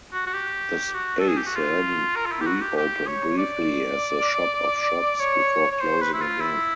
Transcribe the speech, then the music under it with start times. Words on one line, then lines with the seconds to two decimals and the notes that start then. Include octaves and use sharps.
The space then reopened briefly as the ‘Shop of Shops’ before closing again.
0.13 F#4
0.27 F#4
0.33 G4
0.94 F#4
1.19 A4
1.28 G#4
1.38 G4
1.46 F#4
1.55 F4
2.16 A#4
2.26 F4
2.32 E4
2.41 G4
2.46 F#4
2.61 G4
2.77 G4
3.07 C#5
3.38 D5
5.20 C#5
5.72 C#5
5.81 C5
6.01 B4
6.14 E4
6.21 F4
6.41 E4